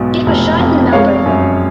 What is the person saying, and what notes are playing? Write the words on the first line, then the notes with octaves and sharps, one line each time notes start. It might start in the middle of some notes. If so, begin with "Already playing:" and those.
It was shot in Melbourne.
Already playing: B1 G#2 B2
F1
F2
G#3 C#5 F5
F#2